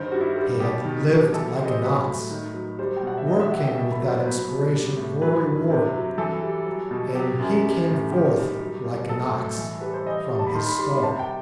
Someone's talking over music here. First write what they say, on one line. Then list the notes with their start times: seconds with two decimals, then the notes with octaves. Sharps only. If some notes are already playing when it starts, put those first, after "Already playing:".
He had lived like an ox, working without inspiration or reward, and he came forth like an ox from his stall.
Already playing: G2 D#3 C5
0.12 G3 F#4
0.21 E4
0.36 G3
0.60 B2 G4
0.85 D#3
1.09 F#3
1.33 E3 A4
1.58 G3 C5
1.65 D#5
1.73 C5
1.82 F#3 B4
2.07 A2
2.30 D#3
2.54 F#3
2.79 G3 C5
2.96 G5
3.03 B2 F#5
3.18 E5
3.27 E3 D#5
3.40 E5
3.52 G3 F#5
3.64 G5
3.75 B2 E5
3.92 B5
4.00 F#3
4.08 C5
4.24 F#3 B4
4.48 B2
4.72 G3
4.97 A2
5.21 F#3 B4
5.45 G2
5.70 C3
5.94 F#3
6.18 E3 A4
6.43 G3
6.66 F#3
6.91 B2
7.15 F#3 G4
7.39 F#2
7.63 G3
7.88 A2
8.12 D#3 G4
8.36 G3
8.60 F#3
8.84 B2
9.09 F#3 A4
9.33 A2
9.58 E3
9.80 G3 B4
9.93 C5
10.06 E3 D#5
10.30 G3
10.39 A5
10.47 B5
10.55 D#3 C6
10.66 B5
10.78 G3 C6
10.91 B5
11.02 C3 A5
11.19 G5